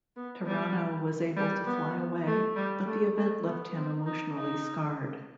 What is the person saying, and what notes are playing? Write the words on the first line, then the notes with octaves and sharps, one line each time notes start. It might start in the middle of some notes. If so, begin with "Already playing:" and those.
Pterano was able to fly away, but the event left him emotionally scarred.
B3
G3
G3
B3
A3
G3
A3
A3
B3
C4
D#4
D#4